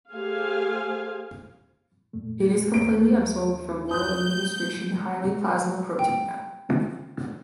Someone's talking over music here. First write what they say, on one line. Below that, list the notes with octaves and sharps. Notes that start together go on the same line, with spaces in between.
It is completely absorbed from oral administration and highly plasma protein bound.
A3 G4 G#4 C5 F5 G#5
F2 A#2 A3
D#2 C#5 E5 D7
D#6 F#6 G6
G5